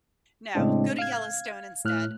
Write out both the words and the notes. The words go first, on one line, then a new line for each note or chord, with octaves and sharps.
No, go to Yellowstone instead.
A2 C#3 G#3 C4 D4
F5 G#6
A2 F6 F#6